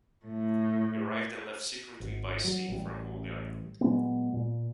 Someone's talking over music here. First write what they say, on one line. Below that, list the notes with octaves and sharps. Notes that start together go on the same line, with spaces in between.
He arrived and left secretly by sea from Holy Island.
A2
G#1
F#3
A1 G3
A#2 F#3 G#3 B3
A#2